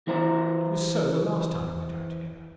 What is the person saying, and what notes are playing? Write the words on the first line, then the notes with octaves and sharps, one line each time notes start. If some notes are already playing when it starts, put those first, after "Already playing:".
It was so the last time we went out together.
E3 E4 C5 A#5